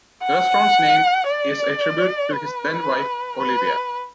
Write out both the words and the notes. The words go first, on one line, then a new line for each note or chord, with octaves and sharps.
The restaurant's name is a tribute to his then-wife, Olivia.
F#5
D5
B4
B4